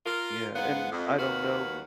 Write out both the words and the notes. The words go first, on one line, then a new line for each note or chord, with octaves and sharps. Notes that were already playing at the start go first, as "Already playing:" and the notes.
Yeah, and, I don't know
F4 A#4
G#2 B3 F5 F#5
F2
D#2 F#4 B4 F5